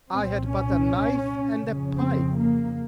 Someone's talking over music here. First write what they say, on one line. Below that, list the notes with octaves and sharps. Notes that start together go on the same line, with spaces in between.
I had but a knife and a pipe.
C2 A#2 C4
C#4
F2 C#3
C4
A#3